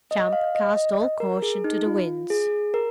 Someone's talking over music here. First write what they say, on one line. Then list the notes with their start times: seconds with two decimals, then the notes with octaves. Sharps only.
Champ cast all caution to the winds.
0.11 D#5
0.33 F5
0.55 D#5
0.77 D#5
1.20 A#4
1.42 G#4
1.64 D#4
1.86 F4
2.30 G#4
2.74 A#4